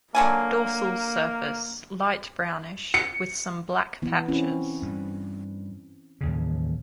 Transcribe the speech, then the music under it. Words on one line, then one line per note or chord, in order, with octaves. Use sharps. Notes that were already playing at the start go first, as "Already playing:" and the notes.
Dorsal surface light brownish with some black patches.
D3 F#3 A#3 G#5
C#7
E3 B3
C4 C#4 E4
G2
A1 D#2 C#3